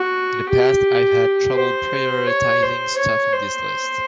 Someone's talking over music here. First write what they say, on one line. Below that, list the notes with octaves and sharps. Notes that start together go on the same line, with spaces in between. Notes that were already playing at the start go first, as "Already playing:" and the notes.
In the past I've had trouble prioritizing stuff in this list.
Already playing: F#4
G4
C5
C#5
C5
C#5
C5